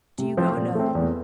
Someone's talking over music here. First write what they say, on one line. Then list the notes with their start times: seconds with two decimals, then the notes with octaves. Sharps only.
"Do you go alone?"
0.18 C3
0.37 F3 C4 F4 C5
0.57 A#2
0.75 A3 C4
0.95 E2